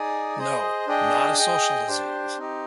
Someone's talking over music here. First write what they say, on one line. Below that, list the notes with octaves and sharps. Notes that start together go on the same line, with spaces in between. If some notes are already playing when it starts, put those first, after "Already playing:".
No, not a social disease.
Already playing: D#4 G#4 D5 G#5
G#4 C5 D#5
D4 G#4 D#5 G5
G#4 D#5 G5
D4 G4 C5
C4 D#4 G4